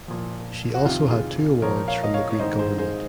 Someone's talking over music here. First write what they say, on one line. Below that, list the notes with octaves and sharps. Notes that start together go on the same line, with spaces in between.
She also had two awards from the Greek government.
A#2 F3
F#4
F2 C3 D#3 F4
F4 G#4
A#2 F3 A#4 C#5
C#5 F5
D#5
C#5 F5
C#5
G#2 D#3 C5 D#5
G#4 C5
G#4 C5